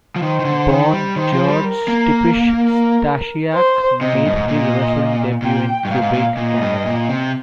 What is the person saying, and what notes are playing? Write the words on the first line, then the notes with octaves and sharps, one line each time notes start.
Born George Stipich, Stasiak made his wrestling debut in Quebec, Canada.
F3
D#3 C5
D#3
D3
D#3
G3
D#3 C5
F3
G3
A#4
A#3
A#4
C5
C3 D#5
A#2
G2
G#2
A#2 D#5
A#2 G5
G2
G#2 F5
G#2
A#2
A#2 D#5
G2
A#2
C3